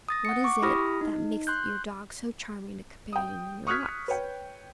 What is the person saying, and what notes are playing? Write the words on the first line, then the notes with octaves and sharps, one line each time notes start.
What is it that makes your dog so charming a companion in your walks?
D#6 A6 A#6
F#5 C#7
C#6 D6
E4 G4 B5 D#6 F6 A#6
D#4
C6 F#6 G6
G5 D#6
C#6 D#6 F6 F#6 G#6 B6
B4 C#5 G5